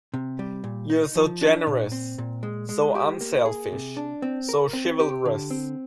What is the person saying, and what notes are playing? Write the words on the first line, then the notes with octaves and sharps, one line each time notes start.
You are so generous, so unselfish, so chivalrous.
C3
G3
A#2
D#4
F3
D4
A#2
C4
A#2
G#3
G#3
G4
A#3
G#4
C3
D4
C4
A#4
C4
G4
D3
C4